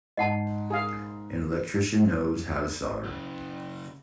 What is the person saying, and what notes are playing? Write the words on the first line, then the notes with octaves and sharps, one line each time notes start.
An electrician knows how to solder.
G#2 D#5 F#5 A5
G#4 F5
C#3 F#3